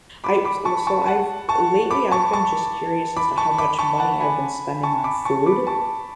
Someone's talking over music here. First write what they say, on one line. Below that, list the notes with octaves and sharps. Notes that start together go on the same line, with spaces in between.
I wa s so I've lately I've been just curious as to how much money I've been spending on food,
B5 D6
B5 D6
A5 C#6
A5 C#6
F#5 A5
A5 C#6
B5 D6
A5 C#6
A5 C#6
B5 D6
A5 C#6
B5 D6
A5 C#6
F#5 A5
G#5 B5
A5 C#6
B5 D6
A5 C#6
B5 D6
A5 C#6